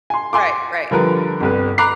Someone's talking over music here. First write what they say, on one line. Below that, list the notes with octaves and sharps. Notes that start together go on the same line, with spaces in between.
Right, right.
G#5 C6
G#5 C6 D6
D3 F3 G3 A#4 B4
G1 C2 B4
A#5 B5 D6 F#6 C7